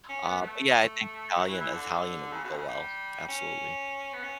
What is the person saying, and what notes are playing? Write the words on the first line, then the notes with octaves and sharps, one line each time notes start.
Uh, but, yeah, I think Italian Italian would go well, absolutely.
C#4
B3
A3
F#3
E3
E3
D3
C#3
B2
D3
C#3
G3
C#4
B3
C#4